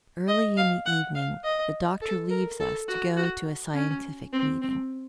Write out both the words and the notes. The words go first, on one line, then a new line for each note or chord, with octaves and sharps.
Early in the evening the doctor leaves us to go to a scientific meeting.
D#5
F5
F#5
F5
D#5
A4
A#4
A4
F#4
F#4
C#4
C4
C4